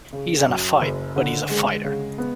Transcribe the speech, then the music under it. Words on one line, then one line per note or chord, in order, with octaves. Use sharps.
He's in a fight, but he's a fighter.
C#3
F#2
F#1
D3
G#3
C#3
B3